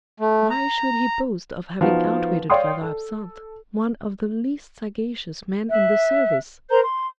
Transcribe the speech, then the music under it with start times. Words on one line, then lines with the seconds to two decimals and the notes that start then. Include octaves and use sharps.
Why should he boast of having outwitted Father Absinthe, one of the least sagacious men in the service?
0.20 A3
0.50 A#5
1.81 F3 B3 D#4 F#4
2.50 C#5 D5 F5 G5 C6 D#6
2.81 A4
5.70 E5 F#6
6.70 A#4 C5 A#5 G6
6.83 C6